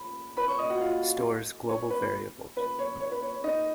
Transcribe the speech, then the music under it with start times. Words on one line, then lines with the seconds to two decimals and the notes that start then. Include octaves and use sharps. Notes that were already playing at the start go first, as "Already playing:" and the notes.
Stores global variables.
Already playing: B5
0.37 B4 B5
0.48 C#5 C#6
0.58 D#5 D#6
0.69 F#4 F#5
0.81 F4 F5
1.69 C#5
1.90 B4
2.57 B4
2.79 C#5
3.00 C#5
3.12 B4
3.22 C#5
3.34 C#5
3.44 D#4 D#5